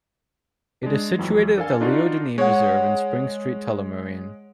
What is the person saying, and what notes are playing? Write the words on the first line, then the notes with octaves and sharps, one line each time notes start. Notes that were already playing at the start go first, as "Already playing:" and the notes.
It is situated at the Leo Dineen Reserve in Spring Street Tullamarine.
G#3 D4
F2 E3 F#3
D4 A4 A#4 F5 G#5
D4 D#4 F4 F#4
G#3 C#5 F#5